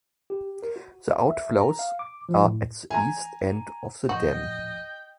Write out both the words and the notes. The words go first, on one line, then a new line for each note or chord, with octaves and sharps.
The outflows are at the east end of the dam.
G4
A#4
F#4
E5
A#5
F5
D6
F3
A2
G#5 A#5
D#1 A2 F3 F#4 D#5 G5